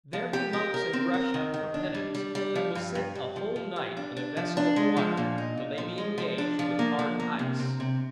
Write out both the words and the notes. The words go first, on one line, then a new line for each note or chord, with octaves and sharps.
There be monks in Russia, for penance, that will sit a whole night in a vessel of water, till they be engaged with hard ice.
F3
G4
A#4
A#4
C4
A#4
D#3
D#3
D4
G3
G3
G3
F3
G2
G2
G2
F3
F3
G2
D4
D4
F3
D4
G#3
F3
A#2
D#4
A#2
F3
G#3
F3
D4
F3
A#3
F3
A#3
C3
C3
C3